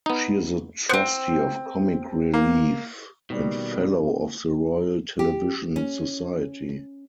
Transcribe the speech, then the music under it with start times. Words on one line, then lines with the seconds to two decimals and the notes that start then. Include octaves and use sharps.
She is a trustee of Comic Relief and fellow of the Royal Television Society.
0.06 B3 D#4
0.89 B3 C4 C5 F#5
2.34 A#3
3.30 B2 D#3 G3 A#3
5.19 G4
5.76 C#4